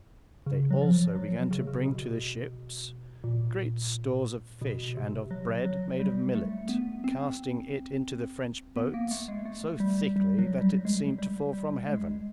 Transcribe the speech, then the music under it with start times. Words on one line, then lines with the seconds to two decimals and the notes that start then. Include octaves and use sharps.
They also began to bring to the ships great stores of fish and of bread made of millet, casting it into the French boats so thickly that it seemed to fall from heaven.
0.46 C#3
0.71 F#3
0.81 F3
1.15 F#3
1.51 C#3
1.59 C3
1.67 C#3
1.85 B2
3.24 A#2
4.61 B2
4.97 C3
5.31 F#3
5.65 F#3
6.00 G3
6.35 A3
6.69 B3
7.04 C4
8.76 B3
8.94 A#3
9.11 A3
9.28 G#3
9.45 A3
9.80 G3
10.16 G3
10.39 F#3
10.61 G3
10.85 G#3
11.19 G3
11.53 G3
11.88 G#3